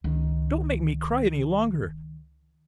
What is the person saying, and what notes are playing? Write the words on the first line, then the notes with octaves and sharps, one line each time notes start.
Don't make me cry any longer!
C#2 D#3